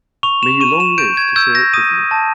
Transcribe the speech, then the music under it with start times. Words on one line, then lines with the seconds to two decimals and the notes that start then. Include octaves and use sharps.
May you long live to share it with me!
0.23 C#6 F7
0.43 E7
0.60 C#6 D#7
0.80 E7
0.98 G6 D7
1.17 G#6
1.36 E6 G6
1.55 A#6
1.73 D#6 D#7
2.11 A5